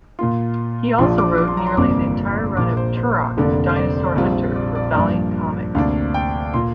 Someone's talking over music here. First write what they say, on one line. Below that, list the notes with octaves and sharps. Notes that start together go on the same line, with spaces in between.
He also wrote nearly the entire run of "Turok: Dinosaur Hunter" for Valiant Comics.
A#2 A#3 F4 C6
A#1 A#2 F3 D4 F4 C6
D6
D6
C6
A#5
C6
G1 F2 C3 A#3 D4 D6
A#1 A#2 A#3 D6
C5
C5
F1 F2 D3 A#3 D4
C5
D5
A#1 A#2 G3 C4 F4
D5
D5
G2 F3 A#3 F4 D5
D2 C3 A#3 D4 F5
G5
A#2 A#3 F4 C6